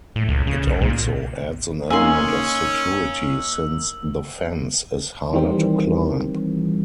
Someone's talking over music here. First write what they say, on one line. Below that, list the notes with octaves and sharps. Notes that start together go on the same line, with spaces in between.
It also adds an element of security, since the fence is harder to climb.
A2
C#2
C#3
B1
A#2
A#3 C#4 D#4 G#5 C6 E6 F#7
D#3 E3 G3 C4